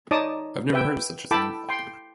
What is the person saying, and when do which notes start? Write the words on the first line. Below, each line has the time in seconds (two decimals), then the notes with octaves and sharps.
I've never heard of such a thing.
0.11 D#4 C#5 D5 A5 D6 D#6
0.73 B4 E5 G5
1.31 E4 A4 G5 A5 B5 D6
1.69 G5 C6